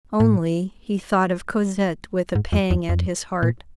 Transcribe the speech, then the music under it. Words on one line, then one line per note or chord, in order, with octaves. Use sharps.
Only, he thought of Cosette with a pang at his heart.
A2
G#2
F2
E2
F2
A#2